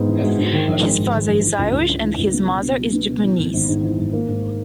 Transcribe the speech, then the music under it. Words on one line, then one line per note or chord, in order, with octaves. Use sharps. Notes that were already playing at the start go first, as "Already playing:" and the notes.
His father is Irish and his mother is Japanese.
Already playing: G#2 G#3 B3
E3
G#3
G#2
D#3
A#1
G#3
G#2
D#3
A#1
E3
C#2
C#2
C#3
E3
C#2
B3
B2
B2
F#3
B3
B2
E3
G#1
G#1
G#2
E3
G#1
A#3
G#2